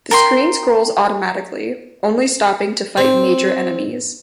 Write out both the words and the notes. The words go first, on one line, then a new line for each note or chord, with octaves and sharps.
The screen scrolls automatically, only stopping to fight major enemies.
A#4 G5 C6
C4